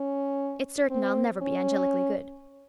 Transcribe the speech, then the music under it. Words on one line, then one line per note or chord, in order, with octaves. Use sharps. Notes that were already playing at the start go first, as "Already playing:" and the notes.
It's certain I'll never be angelically good.
Already playing: C#4
C4
C#4